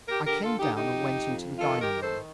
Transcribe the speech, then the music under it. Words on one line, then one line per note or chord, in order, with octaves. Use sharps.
I came down and went into the dining room.
G4 A#4
D3 G4 A#4
F4 A4
D3 D#4 G4
D#4 G4
F2
F2
D#3 F4 A4
G4 A#4
D#3
A4 C5